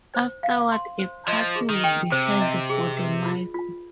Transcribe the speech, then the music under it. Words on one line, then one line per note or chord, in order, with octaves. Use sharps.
Afterward, a party would be held for the "maiko".
C5
F5
C6
C5
F3 D#5
G#4
D#3
G5
C3 C5
D#5
G#4
B4
F4
F4